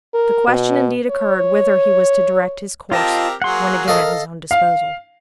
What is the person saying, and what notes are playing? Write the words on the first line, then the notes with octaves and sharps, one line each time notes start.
The question indeed occurred, whither he was to direct his course when again at his own disposal.
A#4
B2
C#5
C4 F4 G4 A#4 D#5 A5
F#3 A#3 G#4 F#5 C6
A4 A#4 D#5 F5
F5